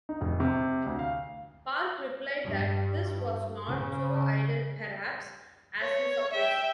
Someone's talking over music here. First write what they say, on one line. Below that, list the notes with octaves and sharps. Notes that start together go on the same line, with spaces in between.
Park replied that this was Not so idle perhaps, as you suppose.
D#4
F1
C3
D2
F5
G2
C#3
C#5
E5 G5